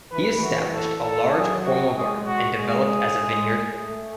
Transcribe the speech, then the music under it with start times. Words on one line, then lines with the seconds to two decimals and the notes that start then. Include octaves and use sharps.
He established a large formal garden and developed as a vineyard.
0.12 E3 B4
0.42 F#4
0.73 A4
1.04 A4
1.35 F#3 G#4
1.65 F#4
1.96 G#3 G#4
2.26 F#4
2.57 G#3 G#4
3.18 G#3
3.79 A3